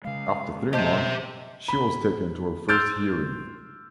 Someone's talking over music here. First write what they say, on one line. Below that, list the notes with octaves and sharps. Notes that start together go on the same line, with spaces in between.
After three months, she was taken to her first hearing.
C#3 G#3 F5
G4 C5 D#5 E5 A5 G6
B5 G7
C6 E6 F6 G6 A6 D7